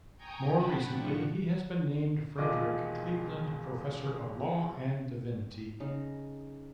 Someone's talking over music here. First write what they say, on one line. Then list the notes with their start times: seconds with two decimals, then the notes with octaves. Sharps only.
More recently, he has been named Frederic Cleaveland Professor of Law and Divinity.
0.17 G5 G#5 A#5 C#6 D#6 G6
0.54 F#5 G5 A5 B5
0.89 A2 F3 D4 F#4 C#6
2.38 E1 D#2 F4 D#5 D6
5.80 C#3 D#4